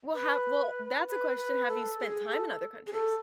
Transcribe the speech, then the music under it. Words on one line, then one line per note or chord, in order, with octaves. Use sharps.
Well, have well, that's a question. Have you spent time in other countries?
B4
B4
B4
A4
G#4
A4
G#4
A4